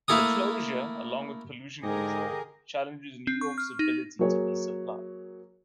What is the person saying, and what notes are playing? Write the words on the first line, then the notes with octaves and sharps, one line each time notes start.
The closure, along with pollution control, challenges New York's ability to be supplied.
A3 A#3 E4 A4 G#5 D#6
G#2 D3 G4 G#4 A#4 D#5 G#5 D#6
C4
C#6
F6
D#4
F#3 A#3 F#4 G#4 C#5